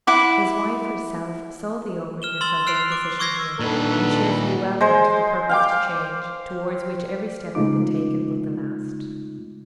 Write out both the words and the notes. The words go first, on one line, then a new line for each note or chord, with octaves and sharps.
His wife herself saw the awkwardness of their position here, and cheerfully welcomed the purposed change, towards which every step had been taken but the last.
E4 F#5 D6
F6 E7 G7
C6 E6 A6 G7
F6 F#6 C7 D7 F7
D6
C#6 D6 E6 G#6 A#6 C7
A#2 D4 D#4 A4 B4
G#3 C5
F5 G5 D6
C#3 G#3 A3 D#4 F4 D6